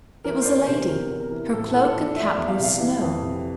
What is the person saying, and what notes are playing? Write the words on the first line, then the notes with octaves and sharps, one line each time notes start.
It was a lady; her cloak and cap were of snow.
E3 A#4
C5
E2 D5
D5
C3 C5
E2 A#4
E2
A#4
E3
A2 A4
A4
A2
A4
F3
D5
F3 E5
D5
E2 E5
F5
C3 F5
E3
F2
C3